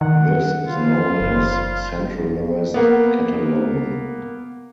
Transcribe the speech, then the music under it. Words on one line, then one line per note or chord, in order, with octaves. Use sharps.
This is known as centralized cataloging.
D#3 F#5
F3 G3 F4
F#1
A#3 B3